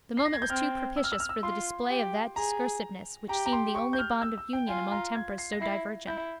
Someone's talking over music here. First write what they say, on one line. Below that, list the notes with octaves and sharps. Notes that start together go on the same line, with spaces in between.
The moment was too propitious for the display of that discursiveness which seemed the only bond of union among tempers so divergent.
C7
A#6
G#6
G6
C4 F6
E6
F6
E6
F6
E6
F4 C6
G4
G#4 A#5
G4 A#5
A#5
C6
C#6
G6
F6
E6
E6
G5
F4 G#5
A#5
G#6
C7
A#6
E4 C7
E4 G6